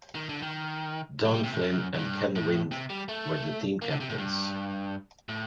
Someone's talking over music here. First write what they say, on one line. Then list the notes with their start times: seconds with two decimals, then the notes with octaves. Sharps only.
Don Flynn and Ken Wind were the team captains.
0.15 D#3
0.29 D3
0.42 D#3
1.25 F#3
1.34 G3
1.44 C3
1.53 A2
1.61 F#2
1.94 F#2
1.99 G2
2.36 A2
2.71 C3
2.90 G3
3.09 A3
3.82 A#3
3.90 D3
4.00 C3
4.10 A2
4.18 G2
5.29 A2